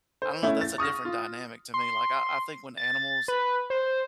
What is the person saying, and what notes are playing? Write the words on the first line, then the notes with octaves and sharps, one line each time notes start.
I don't know, that's a different dynamic to me, like, I I think when animals
C5
A3 C#4 E4
A6
C#6 D#6 F6 A#6
F4
C6
A6
B4
C5